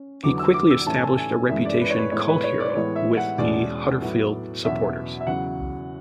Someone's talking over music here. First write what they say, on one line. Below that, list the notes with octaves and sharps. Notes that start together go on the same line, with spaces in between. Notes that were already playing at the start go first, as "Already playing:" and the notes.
He quickly established a reputation cult hero with the Huddersfield supporters.
Already playing: C#4
E2 D3 F#3 B3 D6
E6
D6
E6
A2 E3 A3 C#4 A5
G#5
A5
G#5
F#2 E3 G#3 C#4 E5
D5
B4
C#5
B4
A2 G#3 B3 C#5
B4
C#5
D5
A2 E3 G#3 B3 C#5
E5
E5
F#5
E2 B2 G#3 C#4 D5
A2 F#3 B3
E2 B2 F#3 C#4 E5
E5
E2 C#3 F#3 F#5